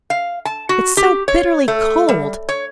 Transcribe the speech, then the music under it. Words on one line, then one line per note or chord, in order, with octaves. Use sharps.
It's so bitterly cold.
F5
A5
F#4
G4
C#5
A3
G3
C#5